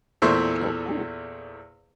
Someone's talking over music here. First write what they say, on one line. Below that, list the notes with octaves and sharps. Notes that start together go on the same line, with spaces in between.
Oh, cool.
E2 A#2 A3 C5 E5 C#6